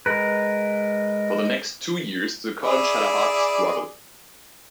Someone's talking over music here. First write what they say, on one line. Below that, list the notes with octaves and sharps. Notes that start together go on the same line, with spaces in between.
For the next two years the college had a hard struggle.
G#3 A#4 B4
E4 G#4 D5